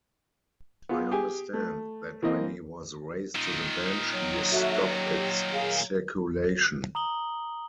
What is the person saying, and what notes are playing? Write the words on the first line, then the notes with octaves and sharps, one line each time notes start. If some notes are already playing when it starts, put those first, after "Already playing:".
I understand that when he was raised to the Bench he stopped its circulation.
B3 F4 G#4
G4 G#4 G5 G#5
A3
E3 A#3 C4 D#5
A#2 D#3
F#3
F#4 A4 E5
G4
G#4 F5
A#5 D#6 F#7 G7